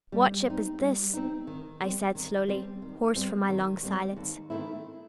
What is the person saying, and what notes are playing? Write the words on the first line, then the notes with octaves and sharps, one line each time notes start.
"What ship is this?" I said slowly, hoarse from my long silence.
G3
C4 D#4
G3
C4 D#4
D#3
G3 C4
D#3
G3 C4
D#3
G3 C4
D#3
G3 C4
D#2
D#3 A3 C4 E4